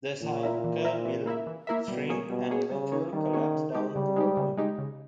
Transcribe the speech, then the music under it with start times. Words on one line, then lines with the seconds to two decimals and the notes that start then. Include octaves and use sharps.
The circle will shrink and eventually collapse down to a point.
0.22 A#2 E3
0.43 A#3 E4 A#4 E5
0.64 E3
0.85 A#3 E4 A#4 E5
1.05 E3
1.26 A#3 E4 A#4 E5
1.47 E3
1.67 A#3 E4 A#4 E5
1.88 B2 G3
2.09 A#3 C#4 G#4 C#5
2.30 B2 G3
2.50 A#3 C#4 G#4 C#5
2.70 C#3 G3
2.92 A#3 C#4 G#4 C#5
3.12 D#3 G3
3.33 A#3 C#4 G#4 C#5
3.54 C#3
3.75 G#3 D#4 G4
3.95 C#3 G3
4.16 G#3 D#4 G4
4.37 C#3
4.57 G#3 D#4 G4
4.78 C#3